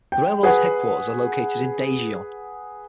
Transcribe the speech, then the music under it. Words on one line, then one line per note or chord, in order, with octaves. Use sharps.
The railroad's headquarters are located in Daejeon.
G5
G#4 B4 F#5